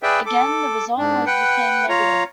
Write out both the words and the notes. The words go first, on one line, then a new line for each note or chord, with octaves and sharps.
Again, the result was the same-negative.
G#4 B4 D5 E5 G5
A4 D6
G#2 D4
B4 F#5 G5
F4 C#5 A#5